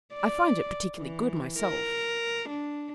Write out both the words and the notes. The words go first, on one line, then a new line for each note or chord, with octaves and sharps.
"I find it particularly good myself."
D5
E3
A#4
D4